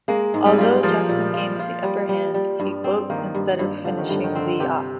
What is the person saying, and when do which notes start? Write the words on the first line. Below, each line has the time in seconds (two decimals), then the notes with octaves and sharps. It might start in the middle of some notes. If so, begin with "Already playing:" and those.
Although Jackson gains the upper hand, he gloats instead of finishing Li off.
0.08 G#3 A#3
0.34 G#2
0.46 G3
0.53 G#3
0.58 G3 F4
0.83 F3 A#3
1.09 A#2
1.33 F4
1.59 F4
1.84 G3
2.09 G3
2.34 G3
2.60 G2
2.84 C4
3.10 D#3 A#3
3.35 G2
3.59 G2
3.84 D3 F3
3.98 D#3
4.09 G2 D3
4.24 D#3
4.35 D3 C4
4.60 C3 G4